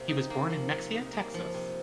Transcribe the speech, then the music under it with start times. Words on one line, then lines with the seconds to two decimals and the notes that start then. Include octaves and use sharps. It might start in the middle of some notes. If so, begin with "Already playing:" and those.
He was born in Mexia, Texas.
Already playing: C3 A#3
0.09 D#4
0.30 A#3
0.50 F3
0.71 C3
0.92 D#4
1.13 A#3
1.34 F3
1.54 C3